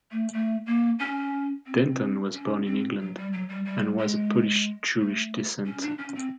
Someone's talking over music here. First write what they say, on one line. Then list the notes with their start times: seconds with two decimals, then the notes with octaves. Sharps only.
Denton was born in England and was of Polish Jewish descent.
0.11 A3
0.33 A3
0.66 A#3
0.99 C#4
1.66 C4
2.33 C#4
2.65 C4
3.00 F#3
3.16 G3
3.33 F#3
3.49 G3
3.65 G3
3.99 G#3
4.99 A3
5.66 C#4
5.82 D4
5.98 C#4
6.15 C4